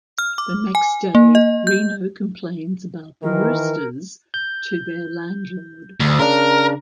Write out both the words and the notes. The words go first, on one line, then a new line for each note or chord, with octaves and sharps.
The next day, Reno complains about the Roosters to their landlord.
F6
D6
G#5
A#3
D#5
G6
D#3 E3 A#4
G6
D2
C#3 D4 A#4